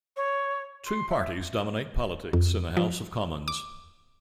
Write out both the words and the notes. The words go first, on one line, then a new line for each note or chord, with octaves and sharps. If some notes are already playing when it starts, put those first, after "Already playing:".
Two parties dominate politics in the House of Commons.
C#5
C6
E5
F2
F3
D6